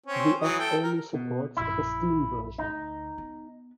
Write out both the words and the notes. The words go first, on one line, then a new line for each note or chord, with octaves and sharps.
This app only supports the Steam version.
C4 C#4
E3 F#3 D#6
A4 G5
A#4
B2
A#1 F#2 E4
D2 D#4
B3